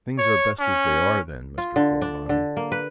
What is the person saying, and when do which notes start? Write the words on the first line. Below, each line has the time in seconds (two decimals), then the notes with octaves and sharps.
"Things are best as they are, then, Mr. Clawbonny."
0.18 C#5
0.60 C#4
1.58 F4
1.76 D3
2.02 D4
2.29 D3
2.57 A#3
2.72 B4